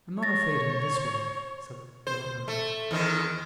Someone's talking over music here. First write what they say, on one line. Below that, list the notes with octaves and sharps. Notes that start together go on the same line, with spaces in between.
'I'm not afraid in this way,' said little Em'ly.
C#5 A6 A#6
C5
A3
E2 D#3 C4